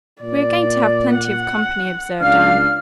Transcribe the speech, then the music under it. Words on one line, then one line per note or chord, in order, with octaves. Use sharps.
"We are going to have plenty of company," observed Anne.
A#2 D5
F#5
C#2 D4 F5 F6